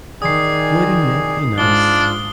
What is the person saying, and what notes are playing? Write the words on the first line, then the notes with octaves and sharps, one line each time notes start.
Wouldn't it be nice?
D#3 G#4 D5 G#5 D#6 C7
G#2 D4 F4 G7